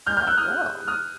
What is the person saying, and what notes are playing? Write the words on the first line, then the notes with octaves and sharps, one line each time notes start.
Oh, I will.
F6 G6
F6 G6
E6 F#6
D#6 F6
D#6 F6